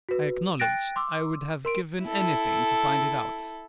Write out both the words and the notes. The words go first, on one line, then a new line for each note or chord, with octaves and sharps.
"I acknowledge I would have given anything to find it out."
F#4 B4
G5 F#6 A6 A#6 D7
C6 D6 E6
A#4 C6 D7
E4 A4